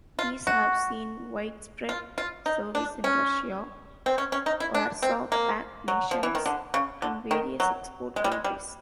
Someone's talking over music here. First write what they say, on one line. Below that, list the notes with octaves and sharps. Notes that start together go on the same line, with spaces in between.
These have seen widespread service in Russia, Warsaw Pact nations, and various export countries.
F4
F#4
F4
F4
D#4
D4
C#4
C4
C#4
C#4
D#4
E4
D4
C4
A#3
F#3
F3
E3
D#3
D3
C#3
D3
D#3
F#3
G#3
G3
G#3
G3